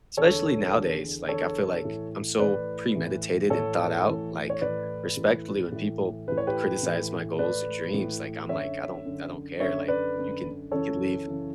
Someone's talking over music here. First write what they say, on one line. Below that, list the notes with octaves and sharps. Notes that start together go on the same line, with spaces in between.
especially nowadays, like, I feel like I'm so premeditated and thought-out, like respectfully when people criticize my goals and dream, like I'm like, "I don't I don't care." like, you can could leave
E2 D3 A4 C#5
E2 D3
E2 D3 A4 C#5
A2 E3
A2 E3 B4 D5
A2 E3
A2 E3 A4 C#5
A2 E3
C#5
A2 E3 B4 D5
A2 E3
A2 E3
A2 E3 B4
C#5
G4 B4
A2 E3
A2 E3 B4 D5
A2 E3
F#2 D3 C#5 E5
F#2 D3
F#2 D3 C#5 E5
B4 D5
F#2 D3
F#2 C#3 E3 A4 C#5
F#2 C#3 E3